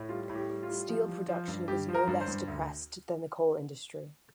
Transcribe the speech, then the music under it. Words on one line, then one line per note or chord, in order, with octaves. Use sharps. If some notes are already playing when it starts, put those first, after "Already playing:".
Steel production was no less depressed than the coal industry.
Already playing: A2
G3 F4
A2
G4
G3
F4
G3
F3
F3
F3
G2
G2 G4
F3
A#4
G2
C5
G2
D2